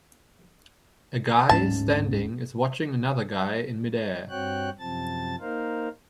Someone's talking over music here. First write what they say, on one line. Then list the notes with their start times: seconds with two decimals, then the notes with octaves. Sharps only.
A guy standing is watching another guy in midair.
1.49 D1 G#2 C#4 A5
4.30 G2 C4 F#4 C#5 G5 F#6
4.79 F#2 C3 F3 C4 A5 A6
5.40 A#3 D#4 A#4 C5 F5